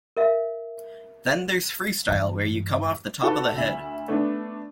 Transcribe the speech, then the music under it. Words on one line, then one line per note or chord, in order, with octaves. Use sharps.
Then there's freestyle where you come off the top of the head.
A#4 E5 F5
G2 E3 G#3
F4 F#4 A4 B4
D2 E5 F#7
A3 B3 D4